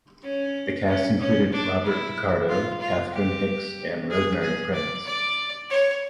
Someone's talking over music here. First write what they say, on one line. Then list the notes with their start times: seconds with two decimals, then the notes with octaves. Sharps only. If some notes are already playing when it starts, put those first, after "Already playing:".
The cast included Robert Picardo, Catherine Hicks, and Rosemary Prinz.
0.23 C#4
0.88 C#4
1.20 C#4
1.52 D4
1.84 E4
2.49 F4
2.80 F4
3.14 G4
4.10 G#4
4.41 G#4
4.73 D5
5.06 D5
5.70 C#5